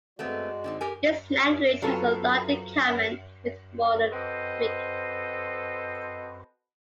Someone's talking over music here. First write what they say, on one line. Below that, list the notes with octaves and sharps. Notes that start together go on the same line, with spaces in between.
This language has a lot in common with modern Greek.
G#3 A3 B3 C4 F#4 D5
D3 C4 D#4
G4 A#4 G#5
F#3 C4 F4 A4 B4 C#5
C4 F#4 A4 B4 C5 D#5